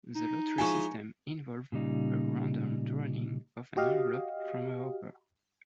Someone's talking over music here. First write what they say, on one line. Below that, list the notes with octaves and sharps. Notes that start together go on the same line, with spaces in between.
The lottery system involved a random drawing of an envelope from a hopper.
D#4
E3 F3 G#3 G#5 C#6
A#2 C#3 G3 D#4
F#4 G4 D#5 F5